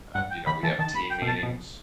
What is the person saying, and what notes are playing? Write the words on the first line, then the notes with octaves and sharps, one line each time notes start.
Uh, you know, we have team meetings,
G2 F#5
G5
D#3 B5
E3 A5
D#3 A5
B5
G5
B2
A5
B2